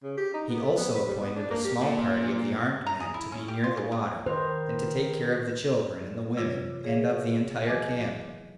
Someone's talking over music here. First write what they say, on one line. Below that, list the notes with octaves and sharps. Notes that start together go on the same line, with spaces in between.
He also appointed a small party of the armed men to be near the water, and to take care of the children, and the women, and of the entire camp.
C#3
G4
D#4
B3
A3
B3
B4
G3
B3
D4
A#3
G4
A#2
A#5
G#4
E4
C#4
G4
F4
C#3
C#3
D#3 B4 C5 D#5
C3 E3 F4 C#5 D6
G#4 A#4 C#5 E5 F5
E2 E3 F#3 G#4 D#5 D6